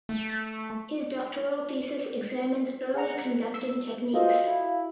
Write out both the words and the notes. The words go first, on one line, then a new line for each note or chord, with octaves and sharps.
His doctoral thesis examines early conducting techniques.
A3
G#4 F#5 A#5
E6
F4 F#4 A4 C5 D#5 F5
E4